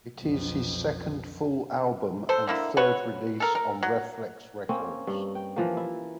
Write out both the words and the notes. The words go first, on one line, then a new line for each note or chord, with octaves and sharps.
It is his second full album and third release on Rephlex Records.
B1 F2
A4 C5
D3 A#3 E4
F#4 B4 C#5
A4 A#4
A#4
F#3
A#3 C4 C#4
G2
G5
E3 F3 A#3
E4